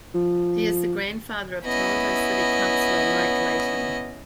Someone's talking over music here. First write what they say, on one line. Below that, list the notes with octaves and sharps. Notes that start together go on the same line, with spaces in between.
He is the grandfather of Toronto City Councillor Mike Layton.
F3
B3 C#4 E4 D#5